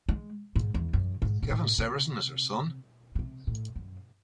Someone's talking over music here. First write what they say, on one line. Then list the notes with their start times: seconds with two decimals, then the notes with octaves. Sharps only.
Kevin Severson is her son.
0.09 G#3
0.56 G#2
0.74 E2
0.93 F#2
1.22 G#2
1.43 G#2
1.50 A2
1.78 C3
3.15 C#3
3.19 C3
3.47 A2
3.76 F#2